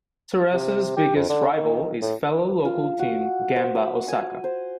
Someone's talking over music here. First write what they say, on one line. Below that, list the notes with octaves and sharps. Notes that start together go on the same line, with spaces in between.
Cerezo's biggest rival is fellow local team Gamba Osaka.
C3
G4
F2
D3
D#3
A2
F4
F#4
C5
B5
G#5
C5